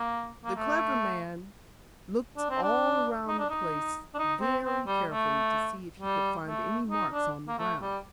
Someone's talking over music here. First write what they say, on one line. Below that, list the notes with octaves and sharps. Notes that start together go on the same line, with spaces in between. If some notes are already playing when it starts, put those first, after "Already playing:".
The clever man looked all around the place very carefully to see if he could find any marks on the ground.
Already playing: A#3
A#3
A3
D4
C4
D4
D#4
D4
D#4
D4
D#4
C4
C4
G3
A3
G3
A3
D#4
D4
A#3
A3
G3